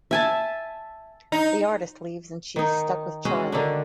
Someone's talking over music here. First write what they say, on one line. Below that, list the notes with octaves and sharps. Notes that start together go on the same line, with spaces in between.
The artist leaves and she is stuck with Charlie.
E5 G#5 A5
D#4
D#3 D#4
G#3 C#4 F#4
D3 D#3 D4